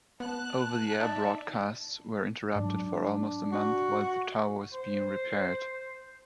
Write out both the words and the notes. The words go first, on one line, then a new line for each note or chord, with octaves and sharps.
Over-the-air broadcasts were interrupted for almost a month while the tower was being repaired.
B3 A5 F#6
D#4 D5 E5 A5
G#2 F#3 D4
F#4
C5